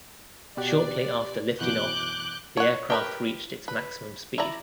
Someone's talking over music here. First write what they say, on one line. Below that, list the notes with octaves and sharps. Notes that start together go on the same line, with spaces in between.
Shortly after lifting off, the aircraft reached its maximum speed.
B2 G4 D5 F#6
F#2 B2 E3 D6 F#6 G6
C#5 F#5
G4 A#4 B4
B4
E4 D5 A#5